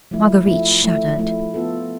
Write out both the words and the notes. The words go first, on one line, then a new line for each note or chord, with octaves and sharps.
Marguerite shuddered.
F3 A3 E4
F3 A3 E4
F3 A3 E4
F3 A3 E4
F3 B3 F4 A4